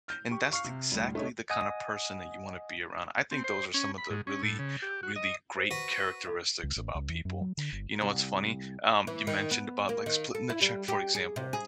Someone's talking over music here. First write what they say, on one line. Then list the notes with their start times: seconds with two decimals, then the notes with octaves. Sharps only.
and that's exactly the kinda person that you wanna be around, I think those are some of the really, really great characteristics about people. You know what's funny? Um, you mentioned about, like, splitting the check, for example,
0.08 F6 G6
0.31 G4 C#6
0.51 F5 C#6 F6 C7
0.64 C3
0.92 D2 A2 G3
1.15 A3 D#4 C#5
1.50 D#5 F#5 G#5 D#6
3.31 C4
3.44 C5
3.74 C#4
3.98 B5
4.10 G#2
4.27 C#4
4.43 A2
4.59 C#3
4.82 G4
5.03 F#4
5.16 D#5
5.56 C5 F#5
5.71 F#4 B4
6.26 A4 F5 D6
6.63 C#2
6.76 A1
6.95 C#2
7.09 E2
7.25 F#2
7.41 F#3
7.57 D3
7.72 G1
8.01 C2
9.07 E3
9.27 D#3
9.51 B3
9.89 A#3
10.06 D#3
10.35 A4
10.50 E4
10.61 G3
10.88 G4
11.15 G#4
11.36 C3
11.53 G#4